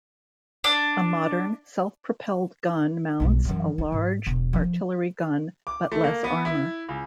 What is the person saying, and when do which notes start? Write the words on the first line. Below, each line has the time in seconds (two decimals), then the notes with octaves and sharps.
A modern self-propelled gun mounts a large artillery gun but less armour.
0.64 D4
3.20 B1 G2
3.45 F#2 E3
3.78 D#4
3.92 G#2
4.26 E1
4.53 F3
5.67 D6
5.92 A3
6.04 A#3
6.24 B3
6.45 E4
6.89 C#2